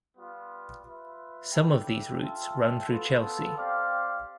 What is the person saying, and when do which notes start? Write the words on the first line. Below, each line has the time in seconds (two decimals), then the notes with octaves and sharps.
Some of these routes run through Chelsea.
0.16 G3 B3 F4
0.84 F4 B4 E5
1.52 G3 D4 A4 E5 G5
2.20 F4 A4 E5 G5
2.88 B3 F4 A4
3.57 C4 G4 D5 F5